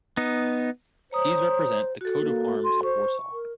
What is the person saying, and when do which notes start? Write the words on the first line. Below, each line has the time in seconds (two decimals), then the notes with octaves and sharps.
These represent the coat of arms of Warsaw.
0.17 B3 D#4
1.11 C5 C#5 A#5 D#6
2.01 F#4 A4
2.21 A#3
2.64 C6
2.83 C5 C#6
3.33 A#4